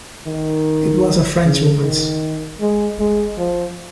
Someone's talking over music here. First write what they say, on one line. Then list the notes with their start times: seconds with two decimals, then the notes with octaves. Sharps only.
It was a Frenchwoman's.
0.27 D#3
1.44 C#3
1.83 D#3
2.60 G#3
3.00 G#3
3.38 F3